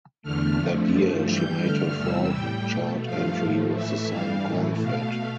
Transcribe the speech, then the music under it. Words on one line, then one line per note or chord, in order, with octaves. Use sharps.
That year, she made her fourth chart entry with the song Corn Fed.
E2 D3 A3 F6
F2 D3 F3 A3
G2 F3 A3
G2 E3 G3 G6
G2 D3 A3 F6
E2 C3 E3 G3 E6
A2 G3 G5
B2 A3
G2 F3 A3 F5
A2 F3 A3
A2 E3 A3 E5
G2 E3 G3 F5
A2 E3 A3
B2 A3 F5